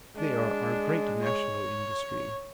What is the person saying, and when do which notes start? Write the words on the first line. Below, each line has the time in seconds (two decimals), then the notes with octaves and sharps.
"They are our great national industry."
0.17 G#3 D4
1.23 C#5